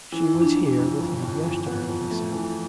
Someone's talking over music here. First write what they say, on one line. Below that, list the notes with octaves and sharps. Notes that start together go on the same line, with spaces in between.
'She was here with me yesterday,' he said.
E3 E4
F2
D4
E3
D4
E4
F2
G1
F2
E3
B3
F2
A3
E3